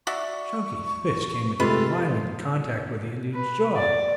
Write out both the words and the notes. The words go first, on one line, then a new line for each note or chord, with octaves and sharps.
Chunky's fist came into violent contact with the Indian's jaw.
F#4 D5 E5 C#6
C3 G#3 A3 F4 A4 B4
B4
D5